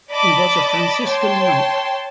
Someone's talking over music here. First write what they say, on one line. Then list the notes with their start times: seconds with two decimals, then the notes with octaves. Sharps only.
He was a Franciscan monk.
0.12 D5 D#5 A5 B5 D6
1.05 C#5 G5 A5 C6